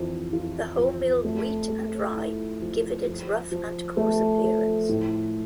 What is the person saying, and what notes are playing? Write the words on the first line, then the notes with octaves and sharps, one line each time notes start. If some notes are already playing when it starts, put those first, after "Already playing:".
The wholemeal wheat and rye give it its rough and coarse appearance.
Already playing: F2 E3
F4
F2
A3
A3
E4
F3
F3
F3
A3
F3
A2